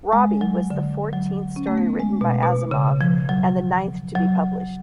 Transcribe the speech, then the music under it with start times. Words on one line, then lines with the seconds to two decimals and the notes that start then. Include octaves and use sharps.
"Robbie" was the fourteenth story written by Asimov, and the ninth to be published.
0.13 G#3
0.41 F#3
0.70 D3
1.13 F#3
1.56 C#4
1.67 A3
1.78 B3
2.00 G#3
2.21 B2
2.43 B2
2.71 C#3
3.01 F3
3.29 F#3
4.15 F#3